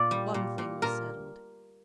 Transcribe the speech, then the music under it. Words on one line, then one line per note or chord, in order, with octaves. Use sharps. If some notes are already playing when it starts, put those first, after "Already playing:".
One thing was settled.
Already playing: A#2 D5
G3
A#2
A#2
A#2 A#4